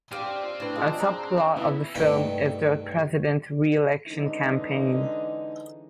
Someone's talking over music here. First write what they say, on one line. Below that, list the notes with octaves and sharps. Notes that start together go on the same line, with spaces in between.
A subplot of the film is the President's re-election campaign.
C4 D4 F4 G4 C5 D#7
A2 D4 B4
G#3 F4 G#4
A#5
C#3 B3 E4
G2 C3 D#3 A3 B4 F#5
D3 E3 G#3 C#4 D#4